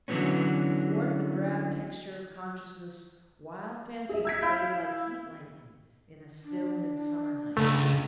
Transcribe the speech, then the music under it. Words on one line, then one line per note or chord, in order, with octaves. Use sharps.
Athwart the drab texture of consciousness wild fancies played like heat lightning in a still midsummer night.
D3 E3 F#3 G3 B3 C#4
G#4 E5
E6 G#6 B6
E4 F5 G6
D4
C#2 A3